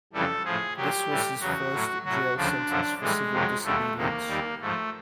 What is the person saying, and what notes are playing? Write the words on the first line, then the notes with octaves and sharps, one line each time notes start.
This was his first jail sentence for civil disobedience.
F2 C#3 E3 G3 A4
A2 F3 G#4
A#2 F#3 G4
A2 E3 G3
E2 C#3 F#3 F#4
A2 F#3
A2 F#3 F#4
D2 C#3 F3 D4
F#2 D3 F3
A2 E3 G3 G#3
F2 C3 D#3 F#3
D#2 D3 G3 A3
E2 C3 D#3 A#3
D#2 D#3 G3
G#2 F3 A3